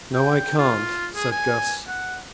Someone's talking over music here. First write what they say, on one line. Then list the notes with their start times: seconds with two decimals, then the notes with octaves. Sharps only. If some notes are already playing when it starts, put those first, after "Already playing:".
"No I can't," said Guss.
0.14 G5
0.59 F4
1.15 G#4
1.32 G#5
1.88 F#5